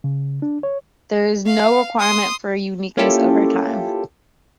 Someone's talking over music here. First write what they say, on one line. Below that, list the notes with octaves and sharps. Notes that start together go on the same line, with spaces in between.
There is no requirement for uniqueness over time.
C#3
D4
C#5
F5
C6 D#6
A#3 C#4 E4 F4 G4 A4